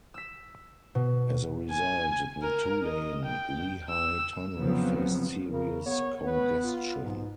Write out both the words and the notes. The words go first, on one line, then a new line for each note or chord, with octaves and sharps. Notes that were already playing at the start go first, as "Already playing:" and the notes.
As a result, the two-lane Lehigh Tunnel faced serious congestion.
E6 B6
B2
G#5
A#4
D#5
G5
E6
F2 C#3 F3 F#3 B3 C4
C#3 A#4
B3 C#5
B3 B4
F4
G#2 B2